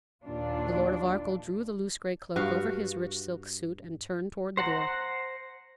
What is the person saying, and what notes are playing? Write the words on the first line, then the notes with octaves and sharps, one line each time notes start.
The Lord of Arkell drew the loose gray cloak over his rich silk suit, and turned toward the door.
D#2 A#2 D4 F4
G2 F#4 F5
C5 F#5 A#5